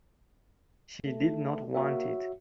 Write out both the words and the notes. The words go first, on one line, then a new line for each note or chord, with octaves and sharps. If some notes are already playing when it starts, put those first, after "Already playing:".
She did not want it.
A3
A#3 F#4 C#5 E5